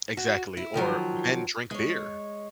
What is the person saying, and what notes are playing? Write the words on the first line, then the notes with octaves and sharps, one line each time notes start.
Exactly, or men drink beer.
F#4
E4
D#3 F3 F#3 A#4
G#3 C#5